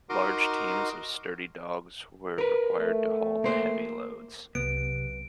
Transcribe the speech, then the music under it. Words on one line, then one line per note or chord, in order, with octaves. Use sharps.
Large teams of sturdy dogs were required to haul the heavy loads.
D#4 F#4 A#4 D#5 C6 D6
A#4 B4
A3
A#3 C5
C2 C3 F#3 B3 D7